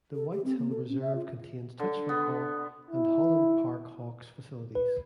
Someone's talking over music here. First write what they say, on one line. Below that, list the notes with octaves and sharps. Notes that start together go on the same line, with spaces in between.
The Whites Hill Reserve contains touch football and Holland Park Hawks facilities.
A4
G4
C4
A#3
A4
C#4
E5
F4
D3
B3
E4
B4